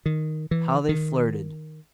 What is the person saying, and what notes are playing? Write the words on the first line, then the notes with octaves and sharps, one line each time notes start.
How they flirted!
D#3
E3
D#3